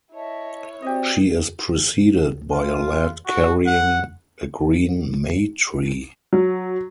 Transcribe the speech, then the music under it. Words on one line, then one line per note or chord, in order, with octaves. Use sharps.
She is preceded by a lad carrying a green May-tree.
E4 C#5 D#5 E5 A5
C4 F#4 G4 D5 D#5
F4
F#4
F#5
F#3